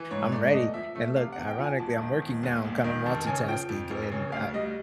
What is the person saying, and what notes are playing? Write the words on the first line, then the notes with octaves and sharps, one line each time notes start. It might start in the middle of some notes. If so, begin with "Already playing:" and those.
"I'm ready." And look, ironically, I'm working now. I'm kinda multitasking and, uh,
Already playing: E3
G#2 C#5
A3 D5
E2 D#5
F3 E5
A3 E5
C3 F5
E2 F#5
G5
F3
G#5
E1 A5
D#3
E1
D#2
E1
D#3
F1 A5
C#3 G#5
F3 G5
F2
F1
C#3
D2 F5
G3 D#5
D#5